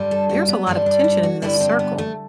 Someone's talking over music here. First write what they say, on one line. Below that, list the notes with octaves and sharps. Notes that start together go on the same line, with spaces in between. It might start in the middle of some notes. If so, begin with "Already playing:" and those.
There's a lot of tension in this circle.
Already playing: G2 D3 G3
A4
F#4
B3
G2 D3 G3 C4
D4
E4
F#4
G2 D3 G3 E4
C4
B3
A3